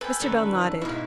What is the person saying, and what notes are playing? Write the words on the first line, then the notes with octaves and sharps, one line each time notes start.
Mr. Bell nodded.
A4 B4 G5 G#5 B5 E6
F#2 D3 D#3 A4 A#4
E4
G#2 B2 E4 C#5 F5